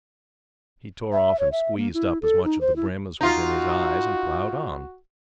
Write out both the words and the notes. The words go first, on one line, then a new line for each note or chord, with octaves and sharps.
He tore off and squeezed up as much of the brim as was in his eyes and ploughed on.
E5
C#5
E5
A#3
E4
A4
D#4
C5
E4
D#4 F4 F#4